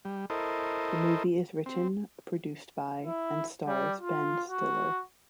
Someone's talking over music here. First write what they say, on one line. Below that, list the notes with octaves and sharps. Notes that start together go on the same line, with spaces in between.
The movie is written, produced by and stars Ben Stiller.
G3
E4 A4 A#4 C5 D#5
C4
E4
G3
F4
F#4